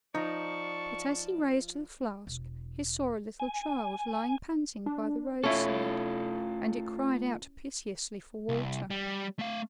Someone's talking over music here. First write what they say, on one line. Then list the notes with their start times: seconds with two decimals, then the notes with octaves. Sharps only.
But as he raised the flask he saw a little child lying panting by the roadside, and it cried out piteously for water.
0.15 F3 D#4 D5 A5 A#5 C#6
2.27 E1
3.40 G#5
4.86 D4
5.43 A3 C#4 E4 F4 A4
8.49 C2
8.90 G3
9.39 A3 F5